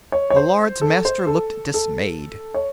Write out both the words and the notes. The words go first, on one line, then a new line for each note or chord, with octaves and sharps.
The Lords-Master looked dismayed.
C#5
C#5
C5
A4
C5
A4
A4
C#5